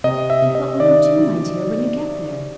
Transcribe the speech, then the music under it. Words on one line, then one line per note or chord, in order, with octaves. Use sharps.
And what will you do, my dear, when you get there?'
C3 D#5
E5
C3
D#5
D#3 D5
F#3